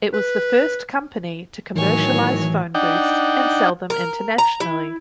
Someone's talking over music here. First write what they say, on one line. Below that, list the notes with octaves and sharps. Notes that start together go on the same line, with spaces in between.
It was the first company to commercialize phonebooths and sell them internationally.
B4
A2 D#3 E3 F#3 C#5 G#5
D4 D#4 F#5 G5
A#4
A#5
E4